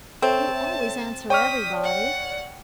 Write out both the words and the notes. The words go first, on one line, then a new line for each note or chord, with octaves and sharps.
You always answer every body.
C4 A4 C#5 E5 A5
C#5 D5 G5 C#6 D#6 F6 B6
F#5